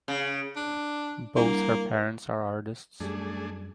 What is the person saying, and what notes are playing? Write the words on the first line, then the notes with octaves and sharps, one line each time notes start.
Both her parents are artists.
C#3
D4
G3 A#3 D4 E4
F#2 G3 A3 D4 G#4